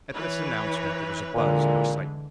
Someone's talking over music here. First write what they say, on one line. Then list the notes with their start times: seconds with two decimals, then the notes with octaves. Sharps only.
At this announcement there was a buzz of excitement.
0.13 E3 B4 C#5
1.34 A#2 D3 E3 G#3